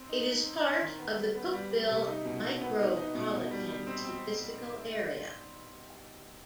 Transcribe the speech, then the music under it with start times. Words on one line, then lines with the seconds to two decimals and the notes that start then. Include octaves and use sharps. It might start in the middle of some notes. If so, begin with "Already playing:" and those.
It is part of the Cookeville Micropolitan Statistical Area.
Already playing: C4
0.09 D#4
0.27 D#4
0.45 C4
0.63 C4
0.81 D#3
0.99 B3
1.17 G3
1.35 B3
1.53 G3
1.71 G3
1.89 C3
2.07 D#4
2.25 B2
2.43 B2
2.61 B3
2.79 D#4
2.97 D#4
3.15 B2
3.33 B2
3.51 G3
3.68 G3
3.87 C4
4.04 C4